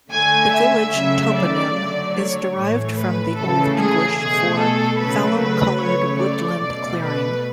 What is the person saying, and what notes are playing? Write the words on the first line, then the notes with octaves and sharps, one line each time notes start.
The village toponym is derived from the Old English for "fallow-coloured woodland clearing".
D3 A3 G#5
E5
C#3 F#3 A3 E5
D5
D3 F#3 A3
C#5
A2 E3 A3
B4
C#3 E3 A3 A4
G#4
B2 A3 G#4
A4
C#3 F#3 A3 B4
B4
C#3 F#3 A3 C#5
D5
B2 A3
B4